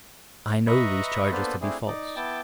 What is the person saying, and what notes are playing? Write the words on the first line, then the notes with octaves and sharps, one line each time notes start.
I know these charges to be false.
B4 D#5 E5 A#5 B5 C#6
A#3 B3 D4 A4 B4 C5
A3 C4 D4 E4 G#4
D#4 D5
B3 E4 G5 A5 D6